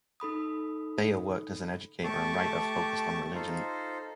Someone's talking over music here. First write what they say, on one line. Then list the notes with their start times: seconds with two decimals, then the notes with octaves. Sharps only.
Thayer worked as an educator and writer focused on religion.
0.20 D#4 A4 B5 D#6
2.04 A3 G4 A5 C#6 D6
3.34 D#4 F4 A4 C5